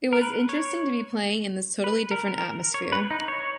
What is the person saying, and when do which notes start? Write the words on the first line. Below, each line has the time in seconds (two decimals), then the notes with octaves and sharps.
It was interesting to be playing in this totally different atmosphere.
0.13 A#4
0.21 B4
0.49 C#5
1.84 B4
2.11 A#4
2.38 A#4
2.74 C#5
2.92 B4
3.11 D#4
3.28 C#5